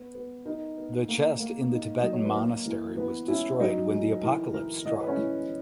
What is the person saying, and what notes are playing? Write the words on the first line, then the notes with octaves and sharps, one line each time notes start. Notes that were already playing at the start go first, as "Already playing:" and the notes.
The chest in the Tibetan monastery was destroyed when the apocalypse struck.
Already playing: B3 B4
B3
D#4 A#4
B3
A#3
A#3
D#4
F#3 D#5
C#5
B4
A#3 A#4
E3
E3 B3 B4
C#4 E4 E5
F#3 D#4 D#5
D#4 G#4
E3 A#4
E3 A#4
E3 D#5
C#5
B4
C#4 C#5
E3